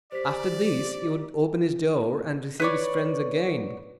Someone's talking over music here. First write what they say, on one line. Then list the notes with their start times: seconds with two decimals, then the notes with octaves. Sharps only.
After this he would open his door and receive his friends again.
0.12 G4 C5 D5 B6
2.60 B4 C#5 D5